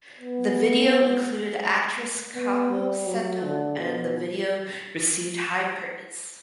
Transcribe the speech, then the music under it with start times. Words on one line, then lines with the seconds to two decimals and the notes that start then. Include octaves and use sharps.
The video included actress Kaho Seto and the video received high praise.
0.20 B3
2.35 B3
2.70 G3
3.07 F#3
3.43 D3
3.78 B2